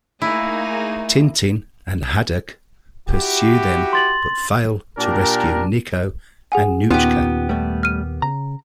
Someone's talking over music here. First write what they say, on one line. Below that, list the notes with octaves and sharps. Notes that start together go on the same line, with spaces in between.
Tintin and Haddock pursue them but fail to rescue Niko and Nouchka.
A3 A#3 D#4 E4 G#4
E4 F#4 G4
C6 A6 F#7
A#2 D4 G4 A#4
G#4 F#5 G#5
D#2 A#2 B3 C#4 D#4 F4 G4
G3 A3
F6 D#7
C#3 A#5